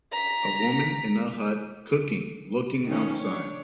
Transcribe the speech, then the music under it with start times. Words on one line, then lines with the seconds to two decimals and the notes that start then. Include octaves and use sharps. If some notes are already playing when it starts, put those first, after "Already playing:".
A woman in a hut cooking looking outside.
0.12 A#5 B6
2.87 D#3 F3 A3 C#4 D#4
3.17 D4 C#5